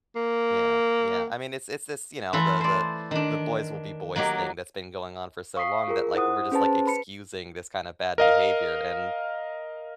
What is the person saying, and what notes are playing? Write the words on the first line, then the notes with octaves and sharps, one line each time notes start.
Yeah, yeah, I mean, it's it's it's, you know, the the the boys will be boys thing that's been going on for so long that, like, we're just, like, excusing this kind of bad behavior, and
A#3
E3 A3 E4 F4
C5 D5
D#3 D4
F#3 A#3 D#4 G4
F5 C#6 D#6 B6 C7
F4 G#4 A#4
E4 C5 F#5 D#6
C#4 G#4 B4 C5 A5
B4 B5 C#7
A#4 D#5 F5